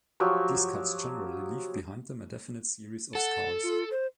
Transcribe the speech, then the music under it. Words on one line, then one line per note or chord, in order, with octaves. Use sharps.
These cuts generally leave behind them a definite series of scars.
F3 F#3 G4 C#6
A4 F#5
F4
C5